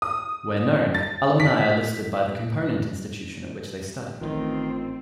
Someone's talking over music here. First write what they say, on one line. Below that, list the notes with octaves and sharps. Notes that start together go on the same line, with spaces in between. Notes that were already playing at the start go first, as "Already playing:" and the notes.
Where known, alumni are listed by the component institution at which they studied.
D#6
A6
B6
A1 A2 D#3 E3 C4 F4